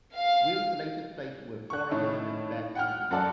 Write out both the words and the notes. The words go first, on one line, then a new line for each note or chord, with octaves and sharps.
Wills later played with Foreigner and Bad Company.
F5
C#6 F#6
A2 D#3 A3 C#4 D#4
F#5 G5 F6
F#2 F#4 A4 D5